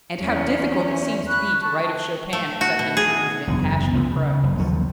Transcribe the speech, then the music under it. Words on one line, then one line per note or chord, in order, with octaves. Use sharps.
And how difficult it seems to be to write of Chopin except in terms of impassioned prose!
E2 C#4
B5 C#6 F#6
A5 C#6
C#6
A3
F#4
B2
G#4
F#1 E2 B2 D3
C#2 F3 G3 A3
C#3
F#1
D#2 F3 F#3